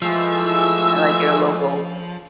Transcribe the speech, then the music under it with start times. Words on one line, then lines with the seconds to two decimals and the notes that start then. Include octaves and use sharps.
uh, like, at a local
0.02 E3 F3 G#3 A3 E6